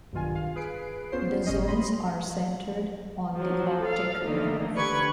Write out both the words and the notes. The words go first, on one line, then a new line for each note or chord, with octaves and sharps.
The zones are centered on the optic nerve.
B1 G2 D#3 F4 G#5
F5
G#4 B4 C7 D7
D2 B3 C#4 F4 C5 C7
G1 A2 C#4 D#5
D#5 B5 C6
F3 F#3
A4 F5
D3 E3 A3 A#3 D#4
D3 G4 B4 C#6 G#6